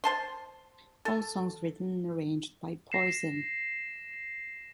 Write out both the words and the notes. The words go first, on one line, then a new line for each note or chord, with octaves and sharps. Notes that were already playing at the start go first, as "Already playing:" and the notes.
All songs written and arranged by Poison.
C5 A5 C6
A4
A#6 C7 E7